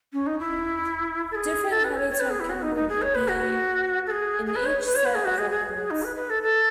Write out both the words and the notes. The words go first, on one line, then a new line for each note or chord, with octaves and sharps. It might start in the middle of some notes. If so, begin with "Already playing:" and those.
Different honeytoken would be in each set of records.
C#4
D#4
E4
A4
G#4
A4
B4
C#5
C#5
B4
G#4
E4
F#4
D#4
D#4
G#4
C#5
B4
F#4
A4
G#4
G#4
B4
C#5
B4
C#5
B4
G#4
F#4
G#4
G#4
G#4
D#4
B4
B4
A4
A4